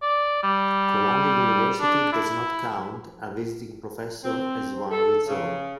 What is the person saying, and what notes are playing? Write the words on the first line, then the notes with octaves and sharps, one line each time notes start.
Columbia University does not count a Visiting Professor as one of its own.
D5
G3
D4
E4
C4
A4
C#3